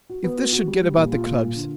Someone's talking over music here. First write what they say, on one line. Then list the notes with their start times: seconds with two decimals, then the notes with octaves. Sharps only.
If this should get about the clubs!
0.10 F#4
0.24 B3
0.38 F#4
0.52 F#4
0.67 G3
0.83 G3
0.97 A#2
1.12 F4
1.26 A#2
1.41 F4
1.55 D3